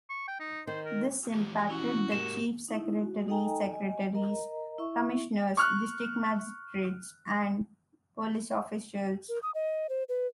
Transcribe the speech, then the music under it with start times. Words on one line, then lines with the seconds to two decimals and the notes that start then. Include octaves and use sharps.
This impacted the Chief Secretary, Secretaries, Commissioners, District Magistrates, and police officials.
0.10 C#6
0.28 G5
0.40 D#4
0.67 D#3 C5
0.86 A#4
1.34 E3 F3 G4
1.70 C#4 E4 F#4
2.12 G#2 A#3 G4 A#4 E7
2.68 D#4 E4
2.99 F#4
3.28 D#4 A4 D#5 G5 G#5 A#5
3.72 D#5 G#5
4.14 A#4 D#5 A#5
4.78 E4 E5 C#6
5.57 C#6 F6 F#6
9.29 A#4
9.43 D#6
9.55 D#5
9.89 C5
10.09 B4